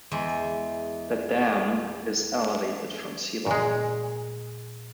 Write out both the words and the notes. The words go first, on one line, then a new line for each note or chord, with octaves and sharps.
The dam is elevated from sea level.
E2 G#3 E5
A#2 G#3